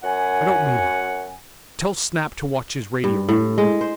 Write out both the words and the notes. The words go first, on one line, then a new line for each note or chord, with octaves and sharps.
I don't mean that! Tell Snap to watch his radio room.
F#2 F#5 G#5
G2
A2
G#3
C5